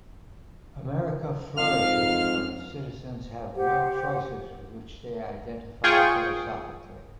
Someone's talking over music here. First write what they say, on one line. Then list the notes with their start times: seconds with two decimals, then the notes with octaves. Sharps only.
America flourishes when its citizens have real choices with which they identify philosophically.
1.57 F2 G#2 F5 F6
3.55 G4 C5 F#5
5.84 F4 G#4 G5 C#6 D#6